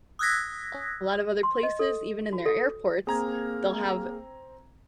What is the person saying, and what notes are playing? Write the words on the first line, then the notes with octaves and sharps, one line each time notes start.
a lotta other places, even in their airports, they'll have
D#6 E6 F#6 G#6 A#6 B6
C6
D#5
A4
F#4
A4
A#3 C4 G#4 A#5 G#6